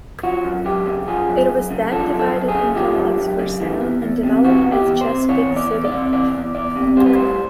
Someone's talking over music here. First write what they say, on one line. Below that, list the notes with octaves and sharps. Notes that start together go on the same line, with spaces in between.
It was then divided into lots for sale and developed as Chesapeake City.
F3 F#4
F#2
F#2 G4
C#3
F3 G#4
F#2
F#2
C#3
F3 A4
F#2
A4
F#2
G#4
C#3
F3 G4
F#2
F#2
C#3
E3
E2
E2
C3
E3 F#4
E2
G4
E2
C5
C3
E3 C#5
E2
D5
E2
D5
C3
E3 D5
E2
E2 D5
C3
G3 C5
B4
A2 C5